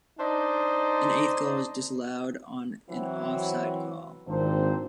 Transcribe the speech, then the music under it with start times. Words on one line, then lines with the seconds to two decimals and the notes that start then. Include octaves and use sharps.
An eighth goal was disallowed on an off-side call.
0.20 D4 D#4 C5 D5 D#5
2.90 E3 F#3 C4
4.28 G#1 A#2 D#3 C4 D4 C5